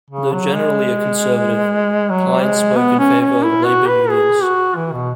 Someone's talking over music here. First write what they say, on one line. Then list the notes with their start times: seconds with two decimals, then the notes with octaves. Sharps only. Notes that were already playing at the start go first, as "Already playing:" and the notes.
Though generally a conservative, Pyne spoke in favor of labor unions.
0.10 C#3
0.33 F#3
0.55 G#3
2.10 F#3
2.43 G#3
2.77 B3
2.99 C#4
3.21 C#4
3.43 E4
3.65 F#4
3.87 B4
4.10 G#4
4.43 F#4
4.76 E3
4.93 B2